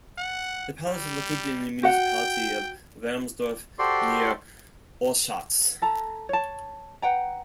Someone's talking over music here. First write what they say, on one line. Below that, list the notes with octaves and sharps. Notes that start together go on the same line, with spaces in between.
The palace is located in the municipality of Wermsdorf near Oschatz.
F#5
G3
F#4 F#5 G5
F#4 G4 A4 C5 D5 C6
A4 A5 A#5
C#5 A5
B4 F#5 G5 A#5